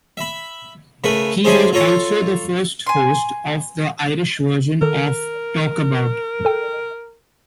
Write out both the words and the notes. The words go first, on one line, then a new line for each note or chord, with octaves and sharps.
He was also the first host of the Irish version of "Talkabout".
E5 B5
C#3 A3 A#4 B4
G#3 C#4 D4 E4 G#4 C5
F4 A4 C#5 A#5
G#5 C6
D#3 A4 A#4
A4 G5